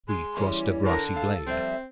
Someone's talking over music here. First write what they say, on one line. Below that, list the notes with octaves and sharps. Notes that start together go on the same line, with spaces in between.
We crossed a grassy glade.
G#3 C6
E3 G3 C#4
D3 A#4
A4 F5 A5
F3 G3 C4 E5